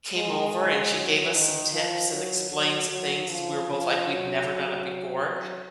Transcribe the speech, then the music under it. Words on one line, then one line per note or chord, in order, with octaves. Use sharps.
came over, and she gave us some tips, and explained some things, 'cause we were both like we'd never done it before.
G#3
G#3
F#3
D#3
F3
F#3
F#3
F#3
F3
F3
F#3
F#3